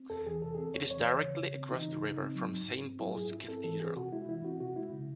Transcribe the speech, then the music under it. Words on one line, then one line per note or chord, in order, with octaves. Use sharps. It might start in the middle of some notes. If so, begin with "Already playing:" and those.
It is directly across the river from Saint Paul's Cathedral.
Already playing: C4
E2 A4
E3 G#4
C3 A4
G#4
C4 A4
E2 C#5
E3 C#5
E3
C#3
C#3
C4
E3 D#4
C#3
C#3
C4
F#3
G#2
G#2
C4
F#3 E4
G#2 G#4
G#2 E4
C4 A4
E3 A4
C4 G#4
C3 F#4
G#3 E4
E3 E4
C4 F#4
C3 F#4
G#3 E4
C#3